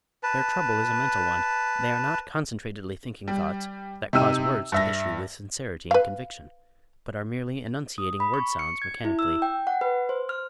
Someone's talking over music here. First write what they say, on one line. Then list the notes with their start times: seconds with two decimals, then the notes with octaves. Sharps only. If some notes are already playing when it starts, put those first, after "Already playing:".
Their trouble is a mental one--they are not concentratedly thinking thoughts that cause words to issue with sincerity and conviction, but are merely enunciating word-sounds mechanically.
0.23 B4 A5
3.28 G3
4.13 C3 D#4 G4 E6 D#7
4.72 G2 E5 A#6
5.91 B4 F5
7.98 D#6
8.20 B5
8.34 C#6
8.59 C#7
8.82 G#6
9.05 E4
9.19 E6
9.42 G5
9.67 F#5
9.81 B4
10.09 C5
10.29 F6